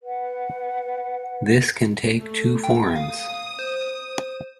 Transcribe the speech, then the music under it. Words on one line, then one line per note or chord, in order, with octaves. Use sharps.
This can take two forms.
B4 F#5
A3
G5
F5 D#6
C5